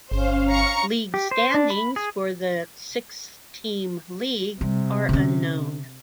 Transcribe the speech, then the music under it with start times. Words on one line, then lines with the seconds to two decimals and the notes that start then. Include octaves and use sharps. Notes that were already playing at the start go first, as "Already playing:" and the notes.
League standings for the six–team league are unknown.
0.12 G1 C#4 C5 F5
0.51 A#5 C#6 C#7
1.14 G4
1.31 C5
1.54 D4
1.70 B5
1.96 G#4
4.61 C3 G3
5.09 D3 C#4